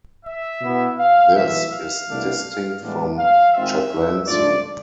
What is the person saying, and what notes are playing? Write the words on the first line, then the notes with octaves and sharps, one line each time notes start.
This is distinct from chaplaincy.
E5
B2 B3 E4
F5
B1 A2 E3 E5
F5
C2 B2 A3 D4
A2 E3 G#3 B3 D4
F5
G#1 G#2 G#3 C4 F4 E5
G#2 F3 A3 D4 F4 D5